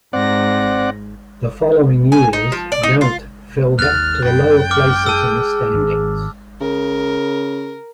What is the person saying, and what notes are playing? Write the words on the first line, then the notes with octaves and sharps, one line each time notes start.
The following years, Ghent fell back to the lower places in the standings.
G#2 C4 D5 F#5 A#6
G#5
D#4
F3
D5
D#4
F4
D#2 F6 F#6 A6
F#2 G5
D6 F6
G#4 A5 E6
G#1
C#3 A#4